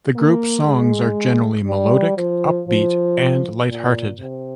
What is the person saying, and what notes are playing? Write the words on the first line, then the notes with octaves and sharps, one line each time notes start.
The group's songs are generally melodic, upbeat, and lighthearted.
A#3
G#3
G3
F3
F3
A#2
C3